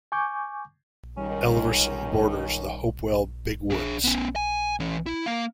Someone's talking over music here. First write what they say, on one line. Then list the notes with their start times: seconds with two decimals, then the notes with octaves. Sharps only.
Elverson borders the Hopewell Big Woods.
0.12 G#5 C#6 D6 G6
1.17 C#2 D#3 G3 C#4
3.70 D4 G#4
4.04 B3 C#4
4.36 G#5
4.80 E3 C#4
5.06 E4
5.26 A#3 F5